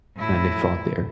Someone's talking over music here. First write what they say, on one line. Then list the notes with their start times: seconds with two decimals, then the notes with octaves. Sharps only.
and they fought there
0.16 A2 E4